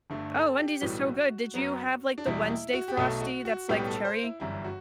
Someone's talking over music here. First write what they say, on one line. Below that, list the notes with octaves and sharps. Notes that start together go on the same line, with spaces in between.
Oh, Wendy's is so good, did you have, like, the Wednesday Frosty that's like cherry?
G1 G2 D3 A3
A4
G4
B1 A2 E3 G3 B3 F#4
F#2 F#3 B3
D4
E2 B2 G3 E4
E4
F#4
G4
B1 B2 A3 A4
F#4
F#4
B1 A2 G3 B3 G4
A4
C5
E4
G1 F#2 E3 G3 E4
F#4